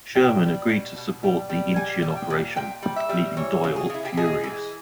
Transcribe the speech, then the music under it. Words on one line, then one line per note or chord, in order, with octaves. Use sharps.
Sherman agreed to support the Incheon operation, leaving Doyle furious.
G3 G5
G3
B2
B2
G3
G3
G3 G#5
G3
G5
A#2
A#2 G5
G3
E5
G3
E3 C#5
C#3
G#4
C#3 E4
G4
G#3 G#4
E3